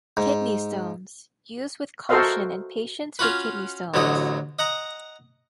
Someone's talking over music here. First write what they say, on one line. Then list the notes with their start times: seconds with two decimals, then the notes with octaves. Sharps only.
Kidney stones: Use with caution in patients with kidney stones.
0.17 G#2
2.09 F#4 A4 A#4 C5 D#5 F5
3.19 C#4 F4 F#4 B4
3.94 A1 D2 D3 F#3 D#5
4.59 D#5 F#5 A#5